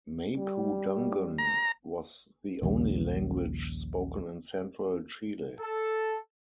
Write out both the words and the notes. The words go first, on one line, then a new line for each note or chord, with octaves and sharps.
Mapudungun was the only language spoken in central Chile.
G3
A#5
A#1 D#2 C#3 G3
A4